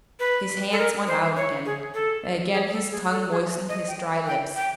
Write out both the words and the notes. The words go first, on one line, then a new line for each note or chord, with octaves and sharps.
His hands went out again--again his tongue moistened his dry lips.
B4
A4
A#4
C5
C#5
G#4
A4
G#4
A4
G#4
A4
G#4
D#5
G5
G5
G5